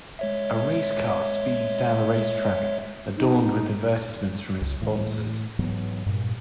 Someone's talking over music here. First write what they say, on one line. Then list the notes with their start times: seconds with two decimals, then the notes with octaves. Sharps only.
A race car speeds down the racetrack, adorned with advertisements from its sponsors.
0.19 G#3 C#5 E5
3.17 D#4
4.61 C#2
4.81 A2 E3
5.59 G#2 E3 F#3 B3
6.06 G2 A#2